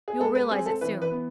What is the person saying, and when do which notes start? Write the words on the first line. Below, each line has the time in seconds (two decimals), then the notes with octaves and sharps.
You will realize it soon.
0.08 G#4
0.20 G#3 A4
0.35 B4
0.50 C4 G#4
0.66 A4
0.81 E3 B4
1.02 B4
1.12 B3